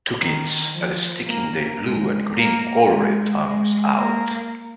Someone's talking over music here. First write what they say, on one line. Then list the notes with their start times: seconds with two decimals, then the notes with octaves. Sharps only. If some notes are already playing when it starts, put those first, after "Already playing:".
Two kids are sticking their blue and green colored tongues out.
0.19 D#3
0.74 F3
1.27 A#3
1.81 G#3
2.36 A#3
2.90 G#3
3.43 G#3
3.97 A#3